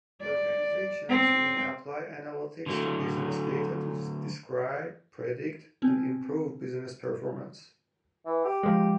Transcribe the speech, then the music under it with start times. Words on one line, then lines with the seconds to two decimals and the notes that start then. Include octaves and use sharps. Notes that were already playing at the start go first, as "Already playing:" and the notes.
Organizations may apply analytics to business data to describe, predict, and improve business performance.
0.21 D5
1.09 C4
2.66 D3 F#3 A3
5.82 B3 C4
8.26 E3
8.45 G4
8.63 F3 G#3